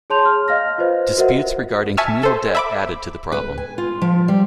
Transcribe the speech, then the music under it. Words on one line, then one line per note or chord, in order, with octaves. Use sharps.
Disputes regarding communal debt added to the problem.
G#4 C#5 A5 C6 G6 F7
F6
D#5 F5 F6 A#6
F4 B4 C5 D#5
F#4 A#4 C5 D#5 E5 F#5
E5 G#5 A5 C#6 E6 F6
A4 C5
E5 B5 D6
B4
G#5
F4
F3
G3